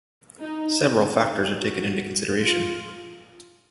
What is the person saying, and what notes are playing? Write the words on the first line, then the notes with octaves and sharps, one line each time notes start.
Several factors are taken into consideration.
D#4
D#4
F#4
F4